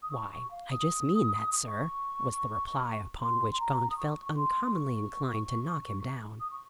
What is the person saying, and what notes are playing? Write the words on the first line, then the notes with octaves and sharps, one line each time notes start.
"Why, I just mean that, sir," was the reply, upon which Gaunt felt uncommonly inclined to knock him down.
D#6
C#6
C#6
F5
D#6
C#6
C6
C6
A#5
D#6
C#6
C#6
C6
C6
C#6
D#6
C#6